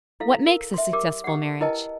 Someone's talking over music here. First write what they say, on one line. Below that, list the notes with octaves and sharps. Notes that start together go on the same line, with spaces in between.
What makes a successful marriage?
E4 A4 F5
A#4
E5 C6
G4 A#4 D6
G4 F#5
E4 A#4 B4 D#5 G5 A5